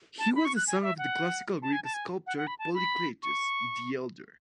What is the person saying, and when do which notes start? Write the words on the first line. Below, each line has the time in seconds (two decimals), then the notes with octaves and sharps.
He was the son of the Classical Greek sculptor Polykleitos, the Elder.
0.19 A5
0.35 B5
0.45 C#6
0.56 F#6
0.67 G#5
0.82 E5
0.98 F#5
1.62 A5
1.73 G#5
1.84 A5
1.94 G#5
2.27 F#5
2.37 F#5
2.47 B5
2.59 A5
2.74 B5
3.23 C#6